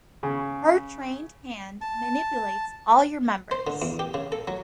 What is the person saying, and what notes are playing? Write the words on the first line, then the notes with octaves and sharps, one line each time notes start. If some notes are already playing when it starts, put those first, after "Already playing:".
Her trained hand manipulates all your members.
C#3
A5
C5
D3
E2
G4
C#3
A4
F#3